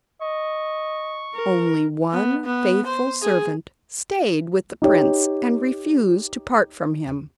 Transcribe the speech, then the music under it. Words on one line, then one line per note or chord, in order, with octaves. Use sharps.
Only one faithful servant stayed with the prince and refused to part from him.
D#5 C#6
A#4
B3
B3
C5
G#4
D#4 G4 C#5